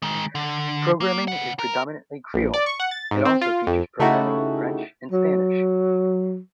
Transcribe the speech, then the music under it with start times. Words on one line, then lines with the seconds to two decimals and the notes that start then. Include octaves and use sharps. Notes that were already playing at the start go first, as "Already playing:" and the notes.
Programming is predominately Creole, it also features programming in French and Spanish.
0.02 D#3 G#3
0.35 D3
1.01 A#3
1.28 C#3 F#5
1.59 A#4
2.34 A#1
2.54 D5
2.66 C#6
2.80 F#5
2.91 A6
3.11 G#2
3.25 C4
3.41 F4
3.67 F2
4.00 C#3 A3 D#4 E4 F#4 G4
5.11 F#3